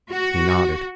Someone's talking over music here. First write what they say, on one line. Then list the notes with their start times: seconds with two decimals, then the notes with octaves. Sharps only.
He nodded.
0.11 F#4